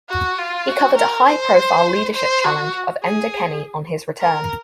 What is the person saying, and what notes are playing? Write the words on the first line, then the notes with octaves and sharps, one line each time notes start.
He covered a high-profile leadership challenge of Enda Kenny on his return.
F#4
F4
F#4
A#4
C5
C5
F#4
G#4
A#4